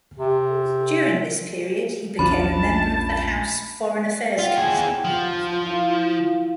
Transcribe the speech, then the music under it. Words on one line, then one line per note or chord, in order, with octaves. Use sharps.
During this period, he became a member of the House Foreign Affairs Committee.
C3
A#1 E2 F3 C#4 D4 A5 B5
F4 F#5 G5
E4 G#4
F3
E4 F5